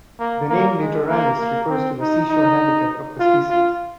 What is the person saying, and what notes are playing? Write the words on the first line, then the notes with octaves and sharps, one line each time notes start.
The name "litoralis" refers to the seashore habitat of the species.
A#3
A#3
G#3
A#3
A#3
C4
D#4
D#4
F4
F4